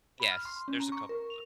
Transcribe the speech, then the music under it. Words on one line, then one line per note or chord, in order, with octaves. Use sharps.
Yes. There's a couple of
B5
F6
C6
C#4
A#5
C#6
A#4
F7